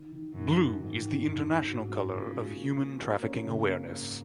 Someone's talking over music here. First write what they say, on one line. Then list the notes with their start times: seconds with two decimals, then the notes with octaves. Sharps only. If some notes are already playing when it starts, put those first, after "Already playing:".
Blue is the international color of human trafficking awareness.
Already playing: D#3
0.12 D#3
0.33 F#2 D#3
0.56 D#3
0.78 G#2 D#3
1.00 D#3
1.23 F#2 D#3
1.45 D#3
1.66 G#2 F#4
1.89 G#3
2.12 A#2 C#3
2.33 G#3
2.55 C#3 A#3
2.79 A#3
3.00 A#2 A#3
3.23 C#4
3.44 F#2 C#3
3.67 A#3
3.89 G#2 C#4